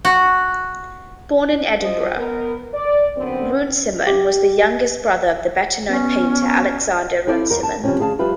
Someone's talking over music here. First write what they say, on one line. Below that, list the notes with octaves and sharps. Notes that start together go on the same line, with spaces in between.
Born in Edinburgh, Runciman was the younger brother of the better-known painter Alexander Runciman.
F#4
F3 D#5
B3 A#4
D5
F#2 D3 B3 C4
G4
B3 C#4
C4 E4 A4 D5
E2 A#4
A5
C#3 F3 G3 A#3 C4 C#4
D2 G#4 F5 A5
F3 G3 F4 B4 E5 F5